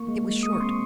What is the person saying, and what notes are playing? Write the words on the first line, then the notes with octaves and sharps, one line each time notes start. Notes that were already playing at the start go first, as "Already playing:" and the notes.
It was short.
Already playing: A#3 C#6
G#3
G#3
G#3 D#6
C#6
C4 C6
C#6